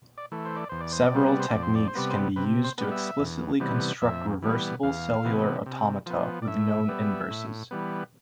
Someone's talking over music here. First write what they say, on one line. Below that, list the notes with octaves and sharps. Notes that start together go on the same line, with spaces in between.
Several techniques can be used to explicitly construct reversible cellular automata with known inverses.
D5
E3 A3
C5
D5
E2 C5
D5
C5
D5
C3 G3 B3 C5
D5
C5
F2 D5
C5
D5
C5
C3 G3 B3 D5
C5
C3 B4
C5
G3 B3
E5
E2
C3 E3 G3 B3
F2 E5
E3 G3 B3
E2 F5
C3 E3 B3
C3
F3 B3
D5
A2 E5
G3 B3
A2
E3 G3 B3